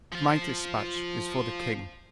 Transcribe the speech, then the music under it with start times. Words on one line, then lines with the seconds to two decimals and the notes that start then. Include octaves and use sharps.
"My dispatch is for the king."
0.12 F3 F4